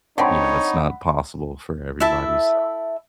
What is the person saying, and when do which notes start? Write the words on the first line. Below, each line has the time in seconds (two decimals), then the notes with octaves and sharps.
you know, it's not possible for everybody, so
0.18 D3 C4 D#4 C#5 F#5 B5
2.00 E4 A4 E5 A5